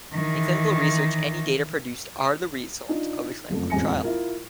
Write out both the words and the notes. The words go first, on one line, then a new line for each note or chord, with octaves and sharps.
In clinical research any data produced are the result of a clinical trial.
D#3 E3
D4 D#4 F4
F#1 F2 A3
E1 A1 F2 G#5 A#6 C#7
E4 F4 A#4